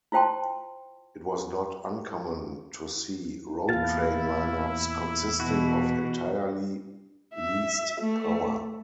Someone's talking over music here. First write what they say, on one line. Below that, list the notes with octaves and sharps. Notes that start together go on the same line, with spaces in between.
It was not uncommon to see road train line-ups consisting of entirely leased power.
E4 F4 C5 G5 A5 C6
E2 A#2 E4 F5 A5
B2 E3 F#4
E5
A3